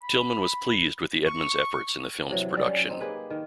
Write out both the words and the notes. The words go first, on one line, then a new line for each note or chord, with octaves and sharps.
Tillman was pleased with the Edmonds' efforts in the film's production.
B5
C#6
C3 E3 F#3
F#3 G3
C#4
C4 D#4
A#3 G4 G#4 B4
D#3